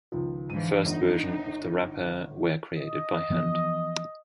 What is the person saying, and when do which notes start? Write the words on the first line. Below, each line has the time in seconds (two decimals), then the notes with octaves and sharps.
The first versions of the wrapper were created by hand.
0.12 C#2 D#3 F3
0.50 G#2 D3 E3 F3 D#7
0.86 G1 D3 D#4
2.76 D#5
3.30 E3 F3 B3